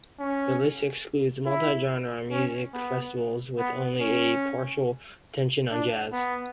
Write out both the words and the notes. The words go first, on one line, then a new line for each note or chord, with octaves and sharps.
This list excludes multi-genre music festivals with only a partial attention on jazz.
C#4
E4
C#4
B3
B3
C#4
D4
B3